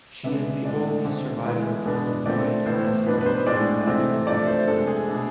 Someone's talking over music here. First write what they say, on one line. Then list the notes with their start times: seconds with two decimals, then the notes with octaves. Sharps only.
She is the only survivor of the "Boyd" massacre known to have living descendants.
0.24 D3 G#3 B3 D4 E5
0.64 A2 G#3 D4 D5
1.05 D3 A3 C4
1.45 E3 G#3 B3 E5
1.86 B2 G#3 B3 D4
2.26 D3 A3 C4 D5
2.65 A2 E3 B3 C5
3.06 B2 B3 D4 B4
3.21 B4
3.26 C5
3.46 A2 G#3 D4 D5
3.86 C3 E3 A3 C4
4.27 C3 F3 A3 D4 D5
4.47 C5
4.67 C3 G#3 D4 A4
4.87 G#4
5.07 B2 A3 D4